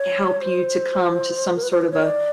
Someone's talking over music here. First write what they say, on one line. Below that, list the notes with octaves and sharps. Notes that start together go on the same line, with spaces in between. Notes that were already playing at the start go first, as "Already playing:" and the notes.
help you to come to some sort of a
Already playing: C#5
C5
A#4
B4
C5
B4
C#5
D5